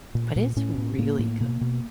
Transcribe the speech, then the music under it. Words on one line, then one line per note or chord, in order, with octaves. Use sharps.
but it's really
A#2
A#2
A2 C#4
A2
A2 A#3
A2
B2 A#3
B2